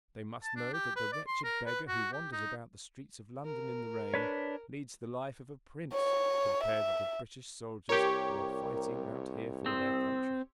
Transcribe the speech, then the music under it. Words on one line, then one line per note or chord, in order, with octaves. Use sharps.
They must know that the wretched beggar who wanders about the streets of London in the rain, leads the life of a prince compared with the British soldiers who are fighting out here for their country.
A5
D4
G4
B4
D5
C6
A#4
B4
F#4
G4
D#4
A#4
D4 B4 C#5
C#5
E5
C2 G4 A#4 C#5 A#5
C4 C6 D#6 E6